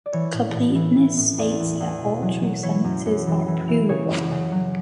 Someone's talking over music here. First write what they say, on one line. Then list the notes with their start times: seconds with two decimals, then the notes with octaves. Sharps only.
Completeness states that all true sentences are provable.
0.06 D5
0.13 E3 C#5
0.33 A2
0.55 A2
0.75 E3
0.96 E3
1.17 A2
1.38 E2 D5
1.60 E2
1.80 E2
2.01 B2
2.22 F#3
2.42 F#3
2.63 E3 C#5
2.84 F#2
3.06 F#2
3.27 E3
3.48 E3
3.68 E3
3.89 C#3 C#5
4.09 F#2
4.32 C#3
4.52 F#3